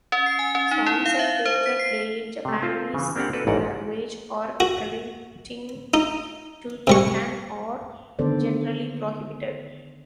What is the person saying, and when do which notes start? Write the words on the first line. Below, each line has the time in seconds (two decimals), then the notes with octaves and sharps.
Songs and theater play in Japanese language or relating to Japan are generally prohibited.
0.12 C#4
0.26 C7
0.39 G#5
0.55 C#4
0.71 D#4
0.86 E4
1.06 F5
1.19 E5
1.45 C5
1.66 B6
1.79 C7
2.45 C3 A3
2.62 C4 F4 A4 C5
2.95 C#3 E3
3.16 A#3 C4 D4 G4 F5 F#5
3.33 F#4 A4 B4 D5
3.47 A1 G#2 D#4 A#4 D5 F#5
4.60 F#4
5.94 D#4
6.87 C3 G3 C#6
8.19 D3 D#3 B3 A4 C5 D5